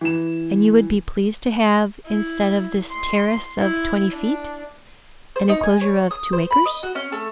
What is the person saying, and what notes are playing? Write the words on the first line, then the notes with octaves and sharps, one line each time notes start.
"And you would be pleased to have, instead of this terrace of twenty feet, an enclosure of two acres?"
E3 E7
E4
C6
E4
D4
C5
D#4
G#5
C#5
D#6
C5
B5
D#5
F#4
C#4
A3